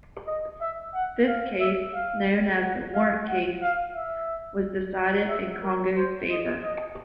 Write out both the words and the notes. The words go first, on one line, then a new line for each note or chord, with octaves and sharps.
This case, known as the Warrant Case, was decided in Congo's favor.
D#5
E5
F#5
F5
E5
F5
F#5
F5
F#5
F5
E5
E5
A#4
C5
D#5
D#5